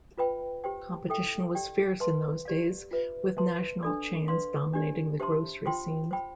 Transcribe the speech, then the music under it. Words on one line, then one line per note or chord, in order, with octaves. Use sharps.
Competition was fierce in those days with national chains dominating the grocery scene.
F4 B4 E5 G5 B5
G4 C5 G5
E4 A4 E5 G5
G4 D5 G5
B4 E5 A5 C6
G4 D5 F5
F4 B4 E5
B4 E5 A5 C6
D4 A4 D5
B4 D5 F5 C6
D4 G4 D5
G4 C5 E5 A5 C6
F4 C5 G5 C6
C5 G5 B5